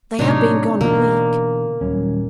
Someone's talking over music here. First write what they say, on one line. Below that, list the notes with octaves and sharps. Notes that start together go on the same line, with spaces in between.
'They have been gone a week.
A2 C3 F#3 D4 D#4 C#5
B2 D3 E3 A#3
D#1 F#3 C#4